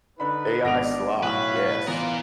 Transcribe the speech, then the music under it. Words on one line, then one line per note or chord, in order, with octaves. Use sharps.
AI slop, yes.
D3 D#4 B4 B5
G#1 B3 D4 D5 A#6 D7 F7
B1 A2 E4 B4 C#5 F5 F#5
E3 B3 F4 A#4 D5